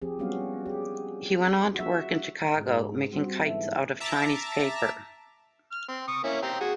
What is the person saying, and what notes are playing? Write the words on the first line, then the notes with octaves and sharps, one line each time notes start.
He went on to work in Chicago, making kites out of Chinese paper.
F3 C4 G4 G#4
F#3 G3 B3 C#4 F#4 F5
G4 G#4
F#4 E5
G#2
G3 C4 F#4
G1 G#2 E3 A4 E5
E5 A5 A#5 D6
F6
C4
C#6 D#6
A#3 C#4 E4
C4 G4 A#5
F#4 G#4